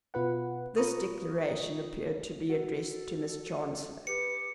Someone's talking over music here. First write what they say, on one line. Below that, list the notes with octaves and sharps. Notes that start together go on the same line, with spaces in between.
This declaration appeared to be addressed to Miss Chancellor.
B2 F4 B4 F#5
F4 A#4 B4 A#5 C#6 D#6
F#4 A4
G4 B4 C#7